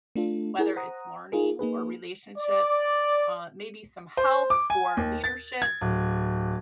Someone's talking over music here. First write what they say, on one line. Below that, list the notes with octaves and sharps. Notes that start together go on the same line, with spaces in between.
whether it's learning or relationships, uh, maybe some health or leaderships,
A3 D4 F4 A4
E4 G#4 A#4
C5 F#5 A#5 D#6
D#4 F4 G#4 A#4
A#3 D#4 G#4 B4
D5
C5
D6
G#5
D#2
A6
G#6
D1